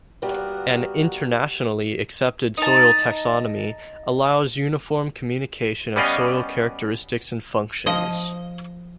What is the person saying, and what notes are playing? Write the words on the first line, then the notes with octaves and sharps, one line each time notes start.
An internationally accepted soil taxonomy allows uniform communication of soil characteristics and functions.
G3 A#3 B3 F#4
D#4 A5
G3 B3 C#4 D5 D#5 F5
F3 D#5